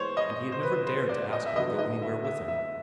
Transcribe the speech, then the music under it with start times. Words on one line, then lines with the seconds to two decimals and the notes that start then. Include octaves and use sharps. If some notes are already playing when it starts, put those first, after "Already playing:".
And he had never dared to ask her to go anywhere with him.
Already playing: E3 G#3 B3 C5 C#5
0.17 D#5
0.52 C5
0.63 B4
0.83 B4
0.87 C5
1.09 D5
1.33 D#5
1.46 E5
1.56 D3 F#3 B3 D#5
1.79 D#5
2.02 E5
2.25 E5
2.48 E5